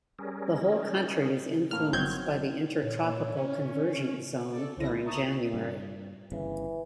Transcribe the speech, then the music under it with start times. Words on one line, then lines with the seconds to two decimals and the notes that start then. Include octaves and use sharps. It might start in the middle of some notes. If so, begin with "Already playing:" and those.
The whole country is influenced by the Intertropical Convergence Zone during January.
0.19 G3 C#4 G#4 A#4
1.71 A2 A#3 F6
1.93 G1 D#3 F#3 C4 G6 G#6
2.83 A#2 C#5
3.37 C#4
4.51 A4 D5
4.77 C2 F3 E4 A#6
4.89 G#3
5.05 E5 A5 A#5 C#6 D#6
5.54 G2
6.32 G1 C#3 E3